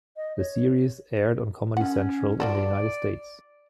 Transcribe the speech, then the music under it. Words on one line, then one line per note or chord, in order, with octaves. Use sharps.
The series aired on Comedy Central in the United States.
D#5
C#5
C#4 F#5
F4 F#4 A4 D5